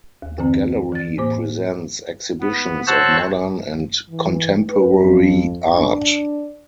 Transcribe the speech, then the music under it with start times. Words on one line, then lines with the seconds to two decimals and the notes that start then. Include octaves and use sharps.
The gallery presents exhibitions of modern and contemporary art.
0.22 D#2
0.38 F#2 D3 E3 C4
0.92 E3 A6
1.18 A2 A#3 C5 D6
2.41 B3
2.87 F#4 C5 C#5 A5 E6 F#6
4.10 E3
4.70 B4
4.99 F2
5.74 D4